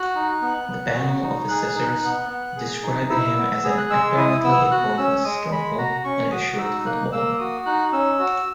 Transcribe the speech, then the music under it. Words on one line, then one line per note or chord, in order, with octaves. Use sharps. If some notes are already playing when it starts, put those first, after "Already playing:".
The panel of assessors described him as an apparently effortless, skilful and assured footballer.
Already playing: F#4 F#6
D#4
B3
B3
F#4
D#4
G#4 F#6
D#4
B3
B3
G#4
D#4
E4 E6
B3
G#4
F#6
G#3 E6
E4 D#6
B3 E6
F#4 F#6
C#4 E6
G#3 D#6
G#3 B5
F#4 A#5
C#4 C#6
F#4 D#6
D#4 E6
A#3 F#6
A#3 E6
F#4 D#6
D#4 F#6
C#4 E6
F#4